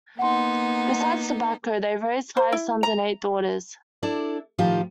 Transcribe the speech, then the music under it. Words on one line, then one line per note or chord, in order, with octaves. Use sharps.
Besides tobacco, they raised five sons and eight daughters.
A#3 B3 D#4 F#5 C6
C5
E4
A#5
D4 E4 A4 D5
A2 D#3 F3 F4 G4